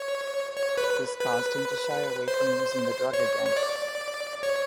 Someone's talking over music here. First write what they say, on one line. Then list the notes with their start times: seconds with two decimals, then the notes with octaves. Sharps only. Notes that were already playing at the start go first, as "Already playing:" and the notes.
This caused him to shy away from using the drug again.
Already playing: C#5
0.56 C#5
0.78 B4
1.20 B4
2.28 C5
3.13 C#5
3.46 C#5
3.57 D5
4.43 C#5